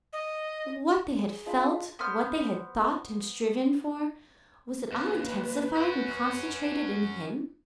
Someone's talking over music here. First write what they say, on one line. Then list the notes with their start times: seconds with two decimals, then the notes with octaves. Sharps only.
What they had felt--what they had thought and striven for--was it all intensified and concentrated in him?
0.13 D#5
1.23 G#4
1.46 G#3 D4 F4 B5
1.99 B3 C5 F6
4.91 D#2 B4
5.75 C#4 F#4